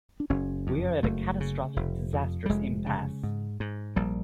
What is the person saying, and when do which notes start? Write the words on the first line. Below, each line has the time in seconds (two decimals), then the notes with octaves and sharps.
We are at a catastrophic, disastrous impasse.
0.20 D4
0.30 F#1 C#4
0.67 F2
1.03 F#1 A3
1.40 C#3
1.76 F1
2.13 F2
2.46 G3
2.50 F1 G#3
2.86 C#3
3.23 G#2
3.60 G#2
3.96 A#1 G3